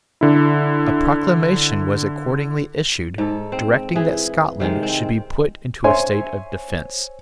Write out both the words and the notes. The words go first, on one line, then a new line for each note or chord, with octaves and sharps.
A proclamation was accordingly issued directing that Scotland should be put into a state of defence.
D3 E4
G#2 A4
C4
E3 G#4
C3 D#3 G#3
C4
C5 C#5 E5 G#5 C6